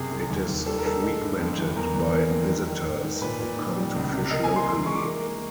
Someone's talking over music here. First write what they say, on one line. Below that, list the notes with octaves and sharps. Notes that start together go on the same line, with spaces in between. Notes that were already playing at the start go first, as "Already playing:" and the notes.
It is frequented by visitors who come to fish locally.
Already playing: F#2 C3 G#4
C2
D#2
D#2
G3 A4
A#4
D#3 A4
G#3
G2
F2
E3
E2 A#4
E2
A#3
F2
D#3
D#3
G#2
G#2
A#2 B4
A#2
D#3
G3
C#2
C3
A#3 D#5
G#5
C2
C6
E3 C6
G#3 C#6
D6
A#3
A#3